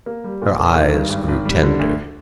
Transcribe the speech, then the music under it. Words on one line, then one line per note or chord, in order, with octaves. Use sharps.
Her eyes grew tender.
A#3
G3
A#2
A#2
D#3
G2
G#1
G#1
G3
D3
D2